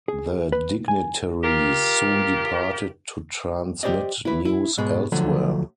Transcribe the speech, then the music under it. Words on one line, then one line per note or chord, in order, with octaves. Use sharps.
The dignitaries soon departed to transmit news elsewhere.
G#4
B4
G#5
F4 G4 A#4
G4 G#4 C5 D5 D#5
E4 B4
E4
G#2 B2 G#3
D2 D3 F3 F#3 A3